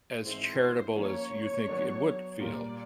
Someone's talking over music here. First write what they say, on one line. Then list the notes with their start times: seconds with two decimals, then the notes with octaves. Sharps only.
as charitable as you think it would feel,
0.24 G#2 E3 G#3 C4 E4 C5
0.96 F3 A#3 C#4 C#5
1.67 F#3 B3 D4
2.39 A#2 G3 A#3 D5